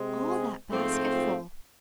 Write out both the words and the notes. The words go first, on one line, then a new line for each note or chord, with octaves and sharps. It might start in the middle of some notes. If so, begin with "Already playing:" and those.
"All that basketful!"
Already playing: C3 G#3 C4
G#4
G#2 F3 A3 C4
F4